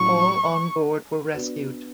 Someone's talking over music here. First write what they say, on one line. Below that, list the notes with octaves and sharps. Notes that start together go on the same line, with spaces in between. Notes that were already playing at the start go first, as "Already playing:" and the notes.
All on board were rescued.
Already playing: A2 F#3 C#4 F#4 C#6
B3 D4 F#4 B4 D5